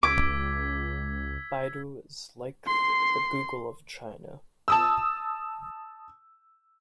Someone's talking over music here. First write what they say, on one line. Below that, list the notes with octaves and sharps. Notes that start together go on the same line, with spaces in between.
Baidu is like the Google of China.
C#2 D6 E6 G#6 B6
C6 C7
A5 D#6 E6